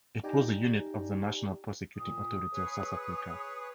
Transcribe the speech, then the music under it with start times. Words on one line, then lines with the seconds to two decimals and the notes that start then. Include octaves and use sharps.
It was a unit of The National Prosecuting Authority of South Africa.
0.24 D#4 G4 D5 G5 G#5 A#5
1.95 A#2 D#6
2.53 G#4 B4 C#5